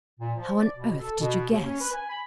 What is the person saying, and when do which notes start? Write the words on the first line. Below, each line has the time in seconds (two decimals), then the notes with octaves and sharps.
'How on earth did you guess?
0.20 A#2
0.36 F3
0.57 D5
0.77 B2
0.99 A4
1.20 B2
1.50 D#2
1.64 C#4
1.80 B4
1.93 G#5
2.09 B5